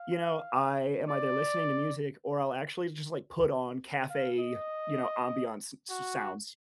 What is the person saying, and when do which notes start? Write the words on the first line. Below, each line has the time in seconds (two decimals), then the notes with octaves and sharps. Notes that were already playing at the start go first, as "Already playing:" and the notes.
you know, I am either listening to music or I'll actually just, like, put on café, you know, ambiance s s sounds.
Already playing: F5
1.09 D5
4.09 F5
4.40 D#5
5.90 F#4